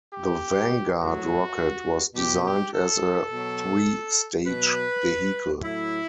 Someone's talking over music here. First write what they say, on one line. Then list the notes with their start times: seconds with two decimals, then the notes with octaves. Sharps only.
The Vanguard rocket was designed as a three-stage vehicle.
0.12 G4
0.99 A2 F#3 F#4
2.14 B2 F#3 G4
2.43 G4
2.72 A4
3.30 B2 F#3
4.45 B2 F#3 B4
5.60 A2 F#3 E4